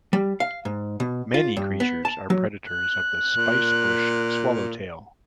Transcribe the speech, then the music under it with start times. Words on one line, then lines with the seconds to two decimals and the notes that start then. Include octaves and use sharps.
Many creatures are predators of the spicebush swallowtail.
0.13 G3
0.40 F5
0.65 G#2
1.00 B2
1.34 F4
1.57 G2
1.80 B3
2.05 A5
2.30 F#3
2.69 F#6
3.36 A#2